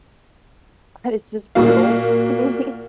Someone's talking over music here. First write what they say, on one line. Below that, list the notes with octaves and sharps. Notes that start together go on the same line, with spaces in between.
it's just brutal to me.
A#2 A#3 F#4 F5